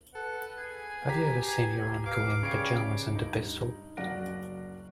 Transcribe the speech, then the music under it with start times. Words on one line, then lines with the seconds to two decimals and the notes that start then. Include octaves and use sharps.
Have you ever seen your uncle in pyjamas and a pistol?
0.15 A4 B4 F#5
0.58 G#4 G#5
1.08 G4 A#5 B6
2.06 B4 F5 D6
2.43 C#3 G3 C#5 C7 D7
3.14 G2 D#4
3.97 F#1 F#3 D5 F#5 A#6 D7